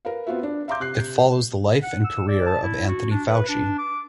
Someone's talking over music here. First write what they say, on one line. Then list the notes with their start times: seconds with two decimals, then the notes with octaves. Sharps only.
It follows the life and career of Anthony Fauci.
0.05 A#4 B4 F5
0.27 B3 C4 F4 F#4 E5
0.43 D4
0.68 E5 F5 A#5 C6 D6 G6
0.80 C3 F#6 C7
1.83 F#5
2.04 E6
2.28 D5
2.46 A5
2.63 E4
2.88 F#4
3.11 D4
3.28 B4
3.49 D4
3.78 D6